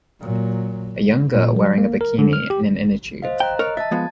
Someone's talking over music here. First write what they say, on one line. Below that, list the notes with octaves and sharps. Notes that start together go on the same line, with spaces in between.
A young girl wearing a bikini in an innertube.
A#2 F#3
A#2
F#3
A#3
A#4
D3
F6
G4
C5 D#5 F5
G5 A#5 F#6
A#4 C#5 D#5
E5 A5 A6
F3 G#3 B3 G#6